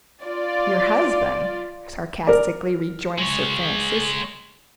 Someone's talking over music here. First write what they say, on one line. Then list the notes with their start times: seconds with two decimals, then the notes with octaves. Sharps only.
"Your husband!" sarcastically rejoined Sir Francis.
0.25 F4 D5
2.27 A#4 D5
3.18 G#3 C#5